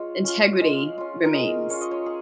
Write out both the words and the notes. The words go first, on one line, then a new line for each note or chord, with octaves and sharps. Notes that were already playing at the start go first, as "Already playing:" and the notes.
integrity remains.
Already playing: G#3 F4 C#5
C#4 F4
G#3
C#4 F4
A#4
G#3 G#4
C#4 F4 C#5
D#5
C#5
G#4